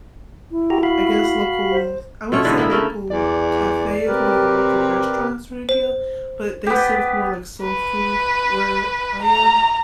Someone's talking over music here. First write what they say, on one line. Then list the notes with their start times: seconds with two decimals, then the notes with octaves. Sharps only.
I guess, local I wanna say local cafe. It's more like a local restaurant sorta deal, but they serve more, like, soul food where I am.
0.51 E4
0.70 F#4 G4 A#5
0.83 F#4 F5 B5
1.72 C5
2.32 B2 A3 F4 C#5
2.45 D3 E3 G#3 B3
2.57 A#3 B3 E4
2.70 C#3 A3 A#3 A#4
3.10 E2 D5
4.06 C3 G4 A#4 B4
5.69 C5
6.66 B3 G4
7.62 B4
9.23 A#5